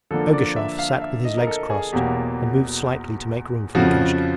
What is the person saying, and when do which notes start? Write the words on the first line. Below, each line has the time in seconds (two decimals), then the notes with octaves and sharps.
Ergushov sat with his legs crossed and moved slightly to make room for Lukashka.
0.11 D3 F3 A#3 D4 A4
0.33 D5
0.56 E5
0.79 F5
1.01 E5
1.24 D#5
1.37 A#4
1.47 A4
1.70 G#4
1.93 E2 B2 F#3 A#3 G4
3.75 F2 C#3 F3 F#4